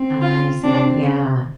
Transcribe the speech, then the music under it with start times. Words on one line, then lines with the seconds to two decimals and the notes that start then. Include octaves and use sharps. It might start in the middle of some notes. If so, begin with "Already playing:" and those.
I see. Yeah.
Already playing: C4
0.22 F4
0.63 C4 D4